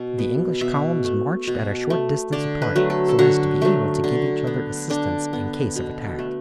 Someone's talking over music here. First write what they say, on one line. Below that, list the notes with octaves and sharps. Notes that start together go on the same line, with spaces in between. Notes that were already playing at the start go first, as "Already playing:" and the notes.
The English columns marched at a short distance apart so as to be able to give each other assistance in case of attack.
Already playing: B2
B3
B2 E5
A3
B2
A3
D3 D5
B4
F#3 A3
A4
A4
D3 F#4
F#3 A3
D3
B3
D3 D4
B3
B2
A3